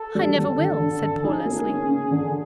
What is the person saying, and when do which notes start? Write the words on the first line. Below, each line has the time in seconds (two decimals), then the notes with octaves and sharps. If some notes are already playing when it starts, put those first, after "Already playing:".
"I never will," said poor Leslie.
Already playing: A4
0.15 G3
0.37 D3 A4
0.59 D3
0.80 D3
1.02 D3
1.23 D#4 G#4
1.45 A#3
1.67 C#4
1.89 C#3
2.11 D3